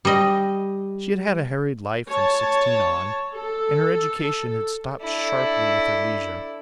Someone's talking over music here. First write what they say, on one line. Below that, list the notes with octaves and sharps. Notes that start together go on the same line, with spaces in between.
She had had a harried life from sixteen on, and her education had stopped sharply with her leisure.
G3 D#5
C#5 A5
A4
D4 E4 A4